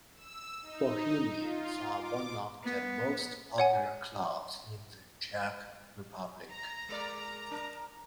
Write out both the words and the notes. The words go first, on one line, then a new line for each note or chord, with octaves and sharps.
Bohemians are one of the most popular clubs in the Czech Republic.
E6
D#4
F4
D6
B3
C#5 F#5 G#5
A#5
G#3 A#4 D5
D4 A#4